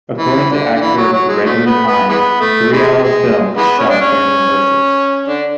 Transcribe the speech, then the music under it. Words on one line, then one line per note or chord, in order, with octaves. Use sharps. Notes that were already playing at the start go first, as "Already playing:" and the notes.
According to actor Gregory Hines, a three-hour film was shot during rehearsals.
E3
D3
D3
E3
F#3
F#3
G#3
D3 F#3 A3
B3
B3
E3 G#3 B3
A3
E3 G#3
G#3
E3 G#3 B3
C#4
D4
C#4
D3 D4